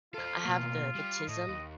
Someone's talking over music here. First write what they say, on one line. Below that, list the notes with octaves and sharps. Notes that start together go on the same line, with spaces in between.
I have the the 'tism
F4 A4 C5
B2 A#3
G3 G4
A2 D#5
D#2